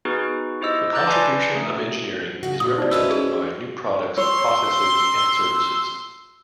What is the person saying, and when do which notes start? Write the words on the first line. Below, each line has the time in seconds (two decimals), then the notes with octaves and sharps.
The contribution of engineering is represented by new products, processes and services.
0.05 B3 D#4 F#4 G#4 B4
0.61 E4 G4 C5 D#5 E6
0.93 A#5 D6 E6 F#6 G6 A6
1.06 B4 D5 G#5 A5 C6 D6
1.55 A3
2.43 C#3 F#4
2.60 A#2 F#4 D#6
2.78 D#4 C5 D5
2.91 C#4 E4 F#4 B4 D#5 E6
3.07 F#4 G#4
4.17 C#5 C6 E6